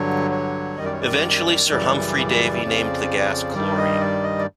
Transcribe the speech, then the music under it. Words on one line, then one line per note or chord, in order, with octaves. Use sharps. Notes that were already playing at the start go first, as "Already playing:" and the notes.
Eventually, Sir Humphry Davy named the gas chlorine.
Already playing: G2 D3 F#3 C#5
C#5
F#2 D#3 G3 D#5
D5
C#5
D5
F#2 C#3 E3 G3 D5
F2 C#3 F3
G2 D#3 G3 D5
D#5
D5
D#5
D5